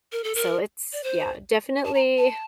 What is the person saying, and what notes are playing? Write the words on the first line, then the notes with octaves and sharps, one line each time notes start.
so it's yeah, definitely
A#4
A4
A#4
D5
C5
A5
A#5
A5